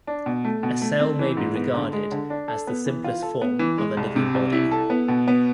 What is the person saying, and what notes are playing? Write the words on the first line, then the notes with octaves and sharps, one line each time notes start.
A cell may be regarded as the simplest form of a living body.
D4
B2
A3
B2
A3
C4
E3
G#2
B3
D3
G#3
D3
D4
A4
B3
E3
F4
A4
B3
E3
G#3
C2
C3
C2
E4
A4
B3
B2
B3